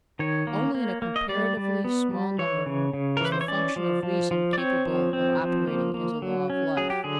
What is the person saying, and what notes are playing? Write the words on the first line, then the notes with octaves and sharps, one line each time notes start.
Only in a comparatively small number is the function of reason capable of operating as a law of life.
D#3 C#5
A#3
A#3
A#3
D#5
G3 D5
G3
B3
G3
E3 C#5
C#3
C#3
A#4
E3 B4
C5
C#5
C#4 D5
F3
F3
F3
D5
C4 C#5
F3
C4
F3
A#3
A#3
F#3
C#4
F#3 G#4
G4
D3 G#4